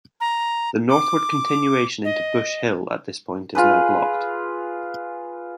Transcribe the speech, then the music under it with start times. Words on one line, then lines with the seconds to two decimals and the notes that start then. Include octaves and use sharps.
The northward continuation into Bush Hill at this point is now blocked.
0.21 A#5
0.89 D6
2.04 D#5
3.55 F4 G#4 B4